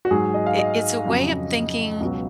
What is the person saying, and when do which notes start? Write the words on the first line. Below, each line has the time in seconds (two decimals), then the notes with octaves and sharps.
It it's a way of thinking
0.05 F#4
0.11 G#2 F#3 G#4
0.34 D#5
0.46 F5
0.58 D#5
1.06 F2 C#3 F#3
2.00 C#2 B2 F#3